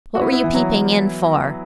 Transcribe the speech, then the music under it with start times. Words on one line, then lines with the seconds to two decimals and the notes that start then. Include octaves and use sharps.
"What were you peeping in for?"
0.15 F#4
0.21 B3 E4
0.32 B3 E4
0.44 E3
0.54 F#3